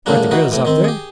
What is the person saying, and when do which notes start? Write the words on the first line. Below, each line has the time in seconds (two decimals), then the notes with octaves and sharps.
Are the girls up there?
0.06 E2 A2 C#3 G3 A#3 D4
0.31 E3 D#4 F#4
0.52 A2 E3
0.65 D#3 C4
0.84 G4 G#4